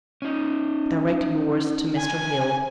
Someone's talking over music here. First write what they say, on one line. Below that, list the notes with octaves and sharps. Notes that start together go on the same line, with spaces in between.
Direct yours to Mr. Hill.
C#4 D#4
G#5